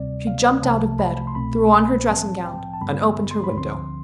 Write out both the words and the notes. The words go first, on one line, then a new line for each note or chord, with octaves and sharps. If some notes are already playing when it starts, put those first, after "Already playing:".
She jumped out of bed, threw on her dressing-gown, and opened her window.
Already playing: D2 C3 G3 C4 D5
F5
C2 C3 F3 A3 A5
B5
C6
C2 B2 A3 C4 B5
B5
A2 F3 C4 A5
G5
A5
G2 D3 G3 B3 B5
C6
B5
D2 D3 F3 C4 C6